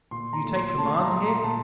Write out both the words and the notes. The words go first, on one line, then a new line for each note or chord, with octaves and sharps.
"You take command here?"
A#2 C6
A#5
A3
C6
A3 A5
A5
A#5
A#2 C6
A#5
A#2 A5